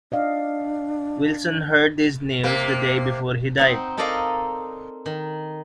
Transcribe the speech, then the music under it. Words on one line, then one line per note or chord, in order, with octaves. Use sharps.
Wilson heard this news the day before he died.
D4 D5 D#5 F5
C3 A#3
C4 D#4 F#5
D#4 A4 A#4 D5 D#5 F5
D#3